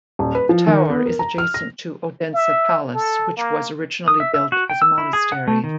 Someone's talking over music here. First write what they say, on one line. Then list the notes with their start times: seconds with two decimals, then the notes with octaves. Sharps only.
The tower is adjacent to Odense Palace which was originally built as a monastery.
0.19 D#1
0.35 B4
0.49 F3
0.67 D#3
0.90 B3
1.06 A#4
1.19 A#5
1.38 F6
1.54 A#6
2.34 E5
2.95 A4
3.37 A#3
4.08 D#6
4.20 E5
4.34 E5
4.52 F#4
4.70 G5
4.82 E6
4.98 E4
5.13 G#4
5.32 F#5
5.48 A3
5.64 D#3